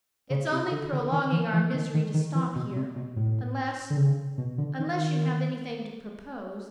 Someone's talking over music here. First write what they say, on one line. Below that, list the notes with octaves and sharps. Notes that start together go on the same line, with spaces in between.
"It's only prolonging our misery to stop here, unless--unless you have anything to propose?"
C#3
C3
D3
D3
D#3
E3
E3
D#3
D#3
D#3
E3
B2
C3
B2
A2
D3
C#3
B2
D3
D#3